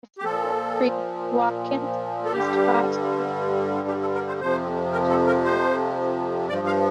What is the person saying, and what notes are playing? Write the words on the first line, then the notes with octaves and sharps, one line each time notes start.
With Nickel Creek, Watkins released five studio albums, one compilation album and seven singles.
G4
A#2 F3 A4
A4
G2 D3 G3 G4
G4
A4
A#4
C5
F2 C3 F3 C5
A#4
A4
A#4
C5
G2 F3 D5
F5